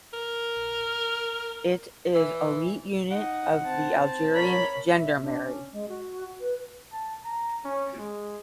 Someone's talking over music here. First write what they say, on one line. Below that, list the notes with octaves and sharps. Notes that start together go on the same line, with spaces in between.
It is elite unit of the Algerian gendarmerie.
A#4
E3
D#4 F#5
C4 A5
A#4 C#5 B5
E5
D4
C#4
G#3
F#4
B4
A5
A#5
C#4
G#3